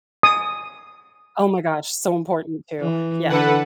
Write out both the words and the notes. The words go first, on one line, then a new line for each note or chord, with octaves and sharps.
Oh my gosh, so important too, yeah.
D#6
E3
D3 A4 B4 F#5